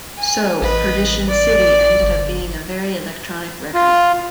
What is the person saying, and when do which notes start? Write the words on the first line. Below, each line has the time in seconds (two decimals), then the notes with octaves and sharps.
So "Perdition City" ended up being a very electronic record.
0.17 G#5
0.62 A1 B4 D#5
1.27 D5
2.02 G1
3.74 F4